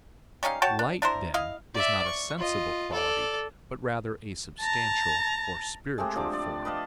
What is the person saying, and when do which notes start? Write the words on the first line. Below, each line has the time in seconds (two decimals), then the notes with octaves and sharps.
Light, then, is not a sensible quality, but rather a substantial or spiritual form.
0.43 G3 C#4 D#4 F5
0.62 F#4 C#5 G5 A5
0.79 D4
1.02 D4 E4 A#4 C5
1.34 E4 D#5 F5
1.74 D5 E5
2.05 C#6
2.38 F4 D#5
2.93 A4 D5
4.60 A5 A#5
5.98 G#3 A3 C4 G4
6.15 F3 D4 D6
6.33 D5
6.65 B4 D#5 F5 A5